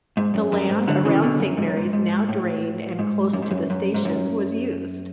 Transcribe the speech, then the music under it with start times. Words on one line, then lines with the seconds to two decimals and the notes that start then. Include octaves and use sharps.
The land around Saint Mary's, now drained and close to the station was used.
0.17 G#2
0.34 F#2
0.52 F#2
0.69 G#2
0.87 D3 F#3
1.05 C#3 E3
1.22 B2 D3
1.40 F#2
1.57 G#2
1.67 F#2
1.77 G#2
1.93 G#2
2.29 A2
2.99 G#2
3.33 F#2
3.42 G#2
3.51 F#2
3.70 F#2
3.94 G#2
4.05 F#2